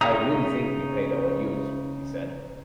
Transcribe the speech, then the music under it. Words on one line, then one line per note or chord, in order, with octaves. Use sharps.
"I really think we paid our dues, "he said.
C#3 D#4 E5 A#5 D#6